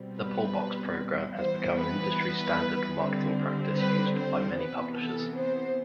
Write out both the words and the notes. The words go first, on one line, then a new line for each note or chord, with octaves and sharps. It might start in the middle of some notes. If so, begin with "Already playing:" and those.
The Pullbox Program has become an industry-standard marketing practice used by many publishers.
Already playing: B2 G3 C4
B4
E3 G3 B3 C5
B4
D3 G3 C4
B4
C5
C3 E3 B3 B4
A4
C5